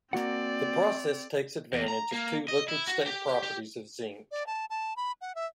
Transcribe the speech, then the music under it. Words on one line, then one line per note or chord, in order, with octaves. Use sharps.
The process takes advantage of two liquid-state properties of zinc.
A#3 C4 F#4 D5 F#5
E2
A#5
A#3
D#5
E4
F#4
G4
G4
D5
A5
A5
B5
F#5
E5